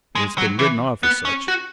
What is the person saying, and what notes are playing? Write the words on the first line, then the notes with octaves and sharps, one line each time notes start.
It's been written off as such.
G#3
F#3
E3
B3
C#4
F#4